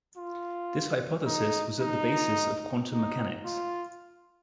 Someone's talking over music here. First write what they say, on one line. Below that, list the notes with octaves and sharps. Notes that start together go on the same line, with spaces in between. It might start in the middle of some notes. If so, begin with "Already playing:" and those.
This hypothesis was at the basis of quantum mechanics.
F4
D#4
D#4
D#4
F4